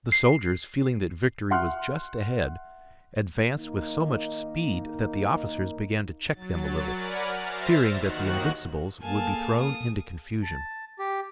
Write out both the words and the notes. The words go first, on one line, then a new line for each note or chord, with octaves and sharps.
The soldiers, feeling that victory was just ahead, advanced with so much speed that the officers began to check them a little, fearing that the Invincibles would be thrown into confusion.
C7
E5 F#5 C6 F6 F#6
D#3 A#3 D#4
F#3 A6
A#4 D5 F#5 G#5 B5 F6
C5 E5 F6 A6 A#6
D#2 D#3 F#4 F#6
A#3 G#4 A4 F5 G#5 A5
D#6
A5
G4